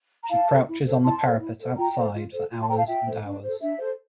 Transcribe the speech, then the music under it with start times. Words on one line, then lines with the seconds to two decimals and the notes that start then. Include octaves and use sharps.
She crouches on the parapet outside for hours and hours.
0.22 A#5
0.30 E4 F5 A5
0.49 A4 C5
0.67 E4
0.86 A4 C5
1.04 E4 A5 C6
1.22 A4 C5
1.40 E4
1.59 A4 C5
1.77 F4 G5 A#5
1.96 A4 C5
2.14 F4
2.33 A4 C5
2.51 F4
2.60 A5 C6
2.69 A4 C5 G5 A#5
2.78 F5 A5
2.87 F4 E5 G5
3.06 A4 C5
3.24 D4
3.43 A4 C5
3.62 D4 E5
3.79 A4 C5